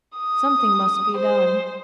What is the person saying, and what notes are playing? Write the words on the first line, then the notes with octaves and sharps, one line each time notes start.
Something must be done.
D#6
C5